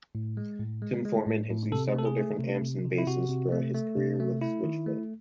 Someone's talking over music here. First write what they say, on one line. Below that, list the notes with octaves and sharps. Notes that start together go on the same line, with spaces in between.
Tim Foreman has used several different amps and basses throughout his career with Switchfoot.
A2
G#3
A2
G#3
G#3
A2
A2
C3 A4
A3 A4
G#4
A3
C3
C3
C3
E4
C3 F#4
C3
A3
A3
C3
A3
A3 E4
D#3
A3